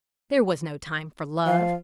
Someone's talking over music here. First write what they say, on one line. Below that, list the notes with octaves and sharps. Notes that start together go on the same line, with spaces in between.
There was no time for love.
F3 F5